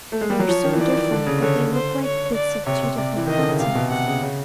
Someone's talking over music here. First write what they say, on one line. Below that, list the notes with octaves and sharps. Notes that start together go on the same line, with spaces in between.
They are so different, that they look like bits of two different continents.
A3
G#3
G3
F#3
F3 C#5
D#3
E3
D#3 D5
D3
C#3
D3 C#5
C5
C#5
D5
C3 C#5
C3
C3 D5
E3
D#3 D#5
D3
C#3
C3 F5
B2
C3 F#5
C#3
C#3